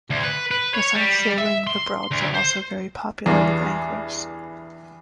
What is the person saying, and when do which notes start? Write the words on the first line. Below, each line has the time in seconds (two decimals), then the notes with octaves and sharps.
Besides sailing, the broads are also very popular with anglers.
0.10 D2
0.23 B4
0.51 B4
0.74 C#5
0.95 G3
1.38 E5
1.67 C6
2.11 D2
2.34 C5
3.26 E2 G2